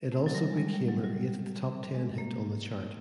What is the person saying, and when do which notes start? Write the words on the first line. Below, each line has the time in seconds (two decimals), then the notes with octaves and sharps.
It also became her eighth top ten hit on the chart.
0.12 A3
0.26 F#3
0.35 G3
0.51 G#3
0.58 G3
0.67 G#3
0.74 G3
0.89 F#3
1.04 G3
1.94 G#3
2.18 A#3